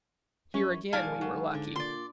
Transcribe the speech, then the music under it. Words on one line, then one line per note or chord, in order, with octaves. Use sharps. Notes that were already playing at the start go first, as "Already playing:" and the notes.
Here, again, we were lucky.
F#2 C#4
G#2 B2 F3 A4 D5 F5 G#5
F#3
D3
A#2 D5 C6